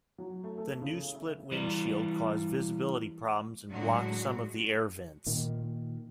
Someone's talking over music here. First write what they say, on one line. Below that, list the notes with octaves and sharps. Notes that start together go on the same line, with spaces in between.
The new split windshield caused visibility problems and blocked some of the air vents.
F#3
A3
A4
C#3
E5
E3 G3
A2 D3 F#3 G#3 F#4
A#2 D#3